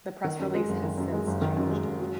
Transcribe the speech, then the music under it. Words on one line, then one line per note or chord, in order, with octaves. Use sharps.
The press release has since changed.
D#3
F#2
G#3
F#1
D#3
F#2
G#3
F#1
D#3
F#2
G#3
F#1
F#3